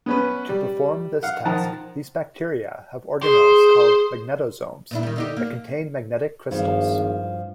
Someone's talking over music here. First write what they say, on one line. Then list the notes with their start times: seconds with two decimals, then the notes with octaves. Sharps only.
To perform this task, these bacteria have organelles called magnetosomes that contain magnetic crystals.
0.06 B3 C#4 B4
0.49 G3
1.23 F5 F#5
1.45 D#3 F3 F#5 A5 A#5
3.23 G#4 C5
4.91 A#2 D4 E4
5.03 D#3 G3
5.16 D3 D#4 G4
5.37 A#3
6.51 G#1 G2 F3